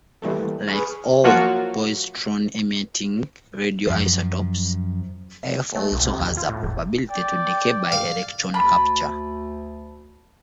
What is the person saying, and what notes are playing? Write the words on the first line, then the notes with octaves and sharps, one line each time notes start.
Like all positron-emitting radioisotopes, F also has a probability to decay by electron capture.
E3 G3 A3 A#3 A4
G#4 B4 C#6 F6
F3 F#3 A#3 F4 F#4
F#2 F3
A3
B1
C3
D#2
F4
A2
E1
D5 G5
F5
D2 A5 B5